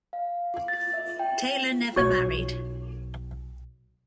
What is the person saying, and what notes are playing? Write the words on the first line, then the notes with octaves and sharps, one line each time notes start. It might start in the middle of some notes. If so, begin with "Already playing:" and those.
Taylor never married.
F5
A6
E5
G5
B1 F#4 C#5 C#6